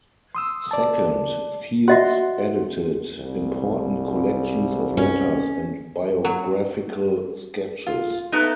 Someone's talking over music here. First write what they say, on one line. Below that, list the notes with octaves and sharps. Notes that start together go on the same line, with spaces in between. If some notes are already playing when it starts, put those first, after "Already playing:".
Second, Fields edited important collections of letters and biographical sketches.
C6 D#6 E6
D5 A5
F#4 D#5 E5 F#5 C6
C2
C#4
F#3
F4
A3 B3 D#4 A#4 D#5